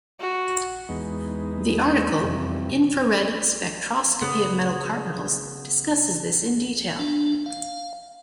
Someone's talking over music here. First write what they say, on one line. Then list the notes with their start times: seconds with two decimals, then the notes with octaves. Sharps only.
The article infrared spectroscopy of metal carbonyls discusses this in detail.
0.20 F#4
0.89 E2 G#3 B3 D#4
2.21 F2 C3 E3 G3
4.21 C#3 B3
6.99 D4
7.46 F5